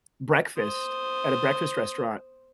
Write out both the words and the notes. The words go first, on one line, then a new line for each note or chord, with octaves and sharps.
breakfast at a breakfast restaurant,
C5 D#6